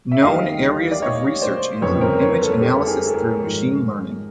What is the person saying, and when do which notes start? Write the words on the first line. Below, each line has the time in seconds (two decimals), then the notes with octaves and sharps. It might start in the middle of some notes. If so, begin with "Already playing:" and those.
Known areas of research include image analysis through machine learning.
0.11 E5
0.22 D#2 D#3 G3 D#5 F5
0.91 D5
1.02 C#5 D#5
1.42 C5 D5
1.82 G1 F2 C#3 F3 B4 C#5
2.01 A#4 C5
2.21 B4 C#5
2.41 A4 B4
2.61 G4 A4
2.80 A4
2.87 G#4 A#4
3.06 A4
3.14 G#4 A#4
3.41 G#1 G#2 F3